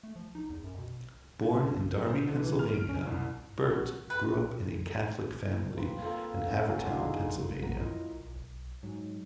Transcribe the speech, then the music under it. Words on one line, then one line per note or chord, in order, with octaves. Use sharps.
Born in Darby, Pennsylvania, Burt grew up in a Catholic family in Havertown, Pennsylvania.
A3
F3
D#4
E2
F#2
B2
C5
D3
E3
F6
D7
C#4
C2
F#4
B4 F#6
A#3 C4 B4
A#3 F4 A4
C#3 B3 E4
A#3 B3 E4 F#4
D4 F#4 C5
F3 D#4 G#4 B4
A#1 E2 F3 F5 F#5 A#5
E4 F4 A#4 D#5 A#5
B1
G#2 F#3